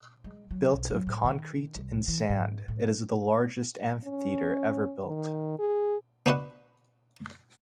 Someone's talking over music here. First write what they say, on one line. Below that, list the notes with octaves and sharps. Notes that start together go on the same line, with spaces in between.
Built of concrete and sand, it is the largest amphitheatre ever built.
G#3
F#3
B1
F#3
A2
D#3
C2
E3
G#2
A2
C#4
D#3
G#4
B3 D4 F#4 B4 D#5 F#5